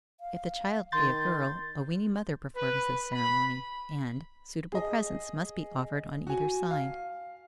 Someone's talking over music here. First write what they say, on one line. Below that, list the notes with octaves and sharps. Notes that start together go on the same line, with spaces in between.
If the child be a girl, a weaning mother performs this ceremony, and suitable presents must be offered on either side.
F5
D#3 C6 G6 A6
B4
B5
G#4 D#5
F#4 G#5
F5